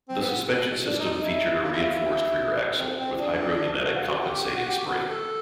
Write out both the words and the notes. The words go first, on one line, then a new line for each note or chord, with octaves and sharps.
The suspension system featured a reinforced rear axle with hydro-pneumatic compensating spring.
C4
B3
D4
D#4
D#4
E4
F4
E4
F4
E4
C4
C4
D4
F#4
F4
F#4
G4
G4
F#4
F#4
G4
F#4
A4